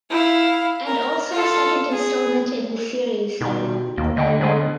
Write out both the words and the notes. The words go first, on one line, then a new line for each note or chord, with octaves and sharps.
And also second installment in this series.
E4 F5
A#4
F4 A4
G#4
B2 D#3 G3
D#2 A#3
D3 A3 D#5 G5
D3 G#3 C5 D#5
B2